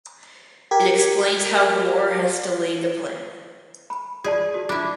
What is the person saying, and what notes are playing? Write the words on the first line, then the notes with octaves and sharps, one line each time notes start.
It explains how war has delayed the plan.
G4 A#4 G#6 B6
B5
F4 G#4 D5 A5
F#4
D4 E4 F4 D6